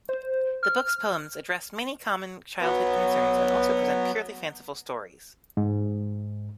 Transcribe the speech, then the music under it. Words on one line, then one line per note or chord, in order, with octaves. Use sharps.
The book's poems address many common childhood concerns and also present purely fanciful stories.
C5
F6
F#3 B3
G#2